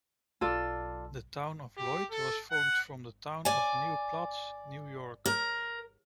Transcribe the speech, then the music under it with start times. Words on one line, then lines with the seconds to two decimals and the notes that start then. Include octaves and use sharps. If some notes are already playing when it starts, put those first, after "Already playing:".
The town of Lloyd was formed from the town of New Paltz, New York.
0.41 B1 F4 A4 D5
1.77 G4
2.11 A4
2.51 F#5
3.45 D5 G#5
5.26 A#4